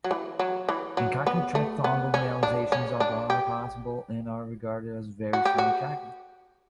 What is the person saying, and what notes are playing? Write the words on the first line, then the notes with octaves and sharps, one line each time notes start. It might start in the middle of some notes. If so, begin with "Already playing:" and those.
In Cockney, triphthongal realizations of are possible, and are regarded as "very strongly Cockney".
F#3
E3
F#3
E3
F#3
B3
A3
B3
C#4
D4
C#4
D4
G4
F#4
G4
F#4